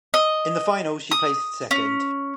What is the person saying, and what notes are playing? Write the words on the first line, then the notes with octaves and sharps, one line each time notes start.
In the final she placed second.
D#5
D#6
C#4